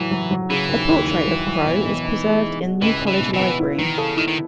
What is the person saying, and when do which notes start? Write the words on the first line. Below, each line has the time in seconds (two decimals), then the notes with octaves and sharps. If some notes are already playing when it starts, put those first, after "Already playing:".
A portrait of Crowe is preserved in New College library.
Already playing: A2 E3 F#3
0.11 F#3
0.31 F#3
0.50 C#3 E3
0.69 D#2
0.88 D#2
1.08 D#2
1.27 F#3
1.47 F#3
1.66 B2
1.85 B2
2.05 D#4
2.24 G#3
2.43 D#4
2.63 F#4
2.82 C#2 E3
3.01 C#2
3.07 E3
3.20 B2
3.34 E3
3.40 B3
3.59 E4
3.79 D#3 E3
3.98 C#3 A4
4.17 D#3 E4
4.27 D#3